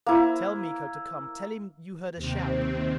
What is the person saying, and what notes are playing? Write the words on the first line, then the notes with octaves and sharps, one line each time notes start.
Tell Miko to come--tell him you heard a shout.
A#3 E4
D#2 C3 C4